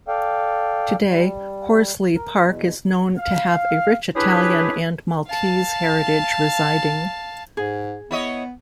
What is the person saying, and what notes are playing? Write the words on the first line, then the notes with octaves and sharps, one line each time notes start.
Today, Horsley Park is known to have a rich Italian and Maltese heritage residing.
A4 D5 F5 G5
G3
A#4
E2 B2
F5
C#4 D4 E4 G4 G#4 B4
F5 A5
G#2 G#4
B3 E4 C#5 D#5